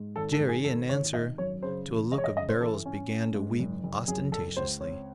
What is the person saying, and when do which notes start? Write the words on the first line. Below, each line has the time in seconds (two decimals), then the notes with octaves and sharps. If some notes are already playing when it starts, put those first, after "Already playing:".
Jerry in answer to a look of Beryl's began to weep ostentatiously.
Already playing: G#2
0.16 G#1 A4
0.32 A4
0.40 G#1
0.48 G#4
0.64 G#1 A4
0.89 G#1 C#5
1.14 G#1 D#5
1.38 F#2 C#5
1.63 C#3 C5
1.87 E1
2.12 G#3 D#5
2.18 C#5
2.24 D#5
2.36 C#3 D#5
2.49 C5
2.60 E3 A4
2.86 C#4
3.10 C#4
3.34 G#2
3.59 F#1
3.83 F#1
4.08 F#2 G#4
4.32 F#1 A4
4.57 C#2 C5
4.81 C4 C#5